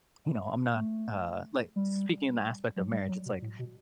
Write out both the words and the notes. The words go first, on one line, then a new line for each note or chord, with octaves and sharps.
you know, I'm not, uh, like speaking the aspect of marriage, it's like,
A3
G3
F#3
G3
F#3
B2
A2
B2